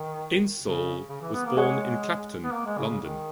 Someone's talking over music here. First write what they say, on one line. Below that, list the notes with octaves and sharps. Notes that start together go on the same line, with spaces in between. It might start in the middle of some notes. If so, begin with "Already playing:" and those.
Insole was born in Clapton, London.
Already playing: D#3
C#3
C#3
E3
B3
A#3
G#3 G#4 C#5 F#5
B3
A#3
G#3
C#3
C#3
D#3